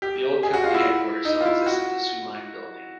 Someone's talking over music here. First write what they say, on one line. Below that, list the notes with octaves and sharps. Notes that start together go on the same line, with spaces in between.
The old company headquarters still exist as the Soo Line Building.
G4
G#4
F#4
F4
E4
D#4
F4
E4
F#4